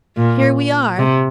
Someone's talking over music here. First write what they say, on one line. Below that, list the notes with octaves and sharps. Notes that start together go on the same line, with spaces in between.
Here we are!
A#2
C3